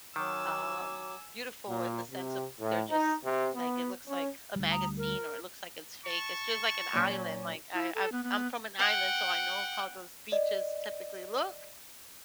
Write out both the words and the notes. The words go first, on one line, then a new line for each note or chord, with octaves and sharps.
um, beautiful in the sense of, they're just, like, it looks like a magazine, or it looks like it's fake. It's just like an island, like, I I I'm from an island, so I know how those beaches typically look,
D#3 F#3 G#5 D6 E6
A#2
C3
A2
D#4
C3
B3
C#4
D2 G3
A#5 D#6
A#4
A5 C#6
A#2 F#3 C#4
E4
A4
B3
B3
F#5 G5
D5 D#5